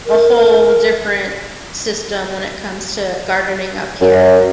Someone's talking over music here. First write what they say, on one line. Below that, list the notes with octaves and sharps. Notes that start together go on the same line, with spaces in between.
a whole different system when it comes to gardening up here,
A#4
F#2